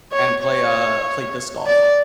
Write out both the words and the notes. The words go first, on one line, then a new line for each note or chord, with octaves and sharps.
and play, uh play disc golf.
C#5
C#5
D5